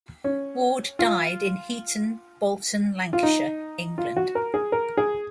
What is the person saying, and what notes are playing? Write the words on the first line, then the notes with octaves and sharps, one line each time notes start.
Ward died in Heaton, Bolton, Lancashire, England.
C#4
F4
F4
D#4
F4
F#4
A#4
G#4
A#4
G#4